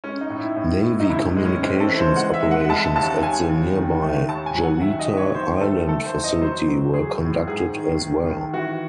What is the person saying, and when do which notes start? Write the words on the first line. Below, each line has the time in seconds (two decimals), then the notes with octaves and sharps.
Navy communications operations at the nearby Galeta Island facility were conducted as well.
0.04 G#3 C#4
0.21 D#4
0.30 A2
0.40 E4
0.56 A2
0.83 A2
1.00 D#4
1.09 C#2 E4
1.37 G#3
1.45 C#4
1.63 G#3 C4
1.80 A4
1.89 E3
1.98 C5
2.16 G#3 F#5
2.34 E5
2.43 G#3
2.51 F#5
2.69 G#3 A5
2.96 D#2 A5
3.22 D#2 G#5
3.49 D#2
3.76 D#3
4.02 A3
4.29 D#2 A5
4.46 G#5
4.56 F#3
4.64 F#5
4.81 D#3 E5
4.99 D#5
5.08 F#3
5.17 C#5
5.35 D#3 C5
5.61 A3 A4
5.87 A3 A4
6.06 C5
6.14 E2
6.24 D#5
6.41 F#3 C5
6.68 F#3
6.94 F#3 G#4
7.21 A2
7.47 G#2 G#4
7.74 D#3
8.01 D#3
8.26 D#3
8.53 E3 F#4